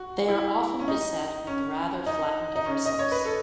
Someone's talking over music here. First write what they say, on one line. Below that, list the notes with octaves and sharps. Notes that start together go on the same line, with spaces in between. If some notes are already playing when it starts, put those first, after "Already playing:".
They are often beset with rather flattened bristles.
Already playing: F#4
E4
C#4
D#4
C#4
D#4
D#4
C#4
D#5
C#5
B4
A4